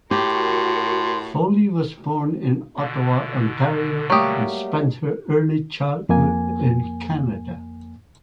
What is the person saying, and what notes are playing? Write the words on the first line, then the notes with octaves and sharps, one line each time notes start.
Foley was born in Ottawa, Ontario, and spent her early childhood in Canada.
A2 F#4 G4 A#4 C6
B2 D3
F#3 G3 A3 A#3 G4 C#6 D#6
F2 A#3 G#5